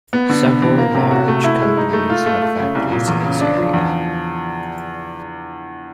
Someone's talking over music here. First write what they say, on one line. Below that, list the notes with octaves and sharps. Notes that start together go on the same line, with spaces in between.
Several large companies have factories in this area.
B3
D3
B3
E3
A#3
C3
F#4
A3
E4
G#3
D#4
A3
F4
A3
A3
C#3
C2
A#2
E2
C#3
D4
F3
E2